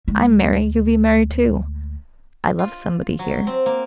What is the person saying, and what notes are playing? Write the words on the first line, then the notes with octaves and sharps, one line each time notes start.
I'm merry; you be merry, too.... I love somebody here.
D2 G#3
F4
F#3
C4
A#3